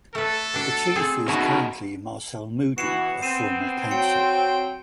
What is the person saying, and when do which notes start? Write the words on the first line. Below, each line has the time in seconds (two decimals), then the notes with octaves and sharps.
The Chief is currently Marcel Moody, a former Councillor.
0.15 A3 A4 B4
0.54 B2 D4
0.95 C4 G#4
1.28 B2 D#3 E4 F#4
2.78 E3 B3 F#4 C7 C#7 E7
3.22 C4 C7 D#7 E7
3.91 F#3 G5 C#7